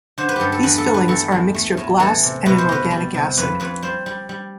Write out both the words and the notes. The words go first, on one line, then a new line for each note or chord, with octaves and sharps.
These fillings are a mixture of glass and an organic acid.
D3 C5
B4
G2 G4 A4
A4
E2 B4
A4
G3
B4
E2 A4
E2
A3
A2
E3 A4
C3
B2 B4
C5
B2 B4
G3
C3
F2 B4
F2 B4
G3 C5
G3
G3